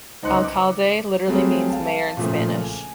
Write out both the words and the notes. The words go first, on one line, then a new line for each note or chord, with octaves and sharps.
"Alcalde" literally means "Mayor" in Spanish.
C#2 D#4 C5 C6 F#6 C#7
D6
F#3 G3 A3 C4 G#4
F5 A5
A#2 C#3 F3 A3 A#3
G#5